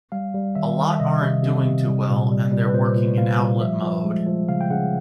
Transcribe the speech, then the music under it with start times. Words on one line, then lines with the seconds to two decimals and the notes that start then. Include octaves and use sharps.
A lot aren't doing too well and they're working in outlet mode.
0.12 G3 F5
0.34 G3
0.55 D#3 E5
0.77 D#3
0.93 E5
1.00 C3 D#5
1.21 C3
1.43 C3
1.65 C3
1.87 G3
2.09 A#2
2.30 G3
2.51 G3
2.65 B4
2.74 A#2 C5
2.96 A#2
3.17 A#2 F5
3.39 G3
3.61 F3 E5
3.82 F3
4.04 G#3
4.26 F3
4.48 C#3 F5
4.61 G5
4.70 C#3 F#5